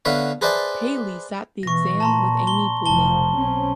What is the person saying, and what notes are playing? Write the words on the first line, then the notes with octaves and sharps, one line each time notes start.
Paley sat the exam with Amy Bulley.
D3 B3 C#5 E5 F5
G#4 B4 C5 D5 E5 A5
B2 E3 C#6 A#6
A#2 A5 A#5 C6
C6 G7
F1 B2 F3 A5 G7
B1 C4 C#4